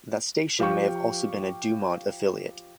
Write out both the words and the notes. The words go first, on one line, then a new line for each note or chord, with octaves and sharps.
That station may have also been a DuMont affiliate.
F3 G4 F5 G5 C#6